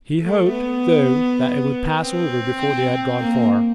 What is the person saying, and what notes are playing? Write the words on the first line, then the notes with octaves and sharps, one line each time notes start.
He hoped, though, that it would pass over before they had gone far.
A3
B3
C4
A#3